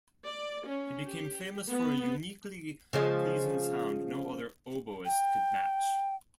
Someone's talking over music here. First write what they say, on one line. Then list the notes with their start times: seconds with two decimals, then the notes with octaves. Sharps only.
He became famous for a uniquely pleasing sound no other oboist could match.
0.24 D5
0.66 C#4
1.06 G4
1.70 B3
2.93 C#3 F3 G#3
5.06 G5